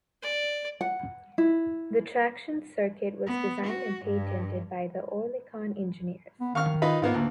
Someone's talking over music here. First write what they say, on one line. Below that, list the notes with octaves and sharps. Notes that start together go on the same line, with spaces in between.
The traction circuit was designed and patented by the Oerlikon engineers.
D5
F#5
E4
B3
F#4
G2
B3
D#3 F5 C#6 F6
D#4 F4 B4
G#2 A#3 B3 F4
D2 A#3